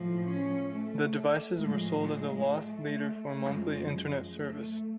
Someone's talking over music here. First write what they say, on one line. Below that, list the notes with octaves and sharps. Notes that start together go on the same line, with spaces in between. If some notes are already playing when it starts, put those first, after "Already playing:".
The devices were sold as a loss leader for monthly Internet service.
Already playing: A2 F3
C#4
A3
A3
A2 F3 G#3
G#3
A3
F#2 F3 G#3
G#3
A3